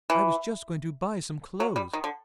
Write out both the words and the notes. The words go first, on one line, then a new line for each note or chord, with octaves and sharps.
I was just going to buy some clothes.
E3
F#3
G3
D#3
D3